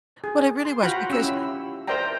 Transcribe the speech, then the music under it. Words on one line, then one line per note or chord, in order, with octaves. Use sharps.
What it really was because,
G#4
C6
F4 F#4 F#5 G5 A#5 B5
C#4 G4 E6
E4
A#4 C5 D5 E5 G5 A#5